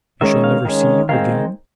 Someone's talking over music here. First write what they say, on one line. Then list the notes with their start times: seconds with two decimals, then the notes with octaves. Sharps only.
"We shall never see you again?"
0.21 D#3 G#3 C#4 E5
0.44 F5
0.65 D#3 G#3 C#4
1.09 D#3 G#3 C4 F5